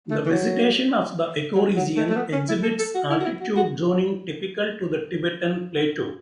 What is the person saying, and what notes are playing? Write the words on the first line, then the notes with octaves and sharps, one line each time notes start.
The vegetation of the ecoregion exhibits altitude zoning typical to the Tibetan Plateau.
A3
E3
F#3
F#3
F#3
A3
A3
B3
C#4
E4
A4
A4
F#4
E4
F#4
E4
F#4
F#4